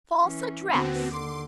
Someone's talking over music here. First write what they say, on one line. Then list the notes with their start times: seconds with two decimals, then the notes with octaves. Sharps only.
"False address!"
0.22 E3 C#4
0.73 D#2 D3 B3 C4 F#4
1.12 D3 C6 D6